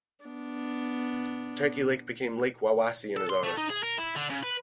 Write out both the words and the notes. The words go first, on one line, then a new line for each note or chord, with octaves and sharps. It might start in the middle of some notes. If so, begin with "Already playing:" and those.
Turkey Lake became Lake Wawasee in his honor.
B3 D4
A4
C6
A3
D#4
G#4
A#4
E4
D3
C#3
B4